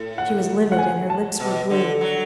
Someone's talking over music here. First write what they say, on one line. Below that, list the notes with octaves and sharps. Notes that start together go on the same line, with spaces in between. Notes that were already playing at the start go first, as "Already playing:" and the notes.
She was livid and her lips were blue.
Already playing: A2
F#5
F#5
G#5
A5
B2
D3
F#3